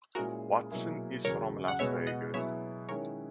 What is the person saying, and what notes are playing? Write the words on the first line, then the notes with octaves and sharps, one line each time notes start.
Watson is from Las Vegas.
A#2 G#3 C#4 E4 F#4 G#4 A#4
B2 F#3 A#3 E4 G#4
E2 C#3 F#3 A#4 C#5
F#5
B2 G#3 B3 F#4 C#5 E5
D#5 F#5
B2 F#3 B3 E4 G#4 C#5 E5
D#3 G#3 C#4 E4 A#4 C#5